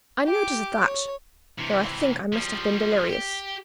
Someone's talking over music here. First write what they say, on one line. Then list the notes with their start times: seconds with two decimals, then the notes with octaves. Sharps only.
I noticed that, though I think I must have been delirious.
0.24 G4 D6
0.83 C#5
1.58 C3 E3
2.33 F3 G3
3.10 G4